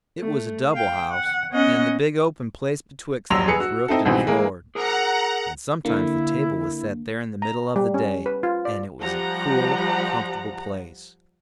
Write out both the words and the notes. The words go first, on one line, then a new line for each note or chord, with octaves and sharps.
It was a double house, and the big open place betwixt them was roofed and floored, and sometimes the table was set there in the middle of the day, and it was a cool, comfortable place.
A3
F5 G5
F#5
B3 C#4 D#5 F#5
D#1 A#1 F#3 C6 E6 F7
G#4 B4 C#7
F#4
C4 D#4 E4 A4
C2 G#2 B2 E3 C4 C5
E3 G#3 A#3
G#4 A#4 F#5 A#5
D3 A#3 E4
A#5
G3
C#4
B4
F4
D5
F3 G3 F#5 A#5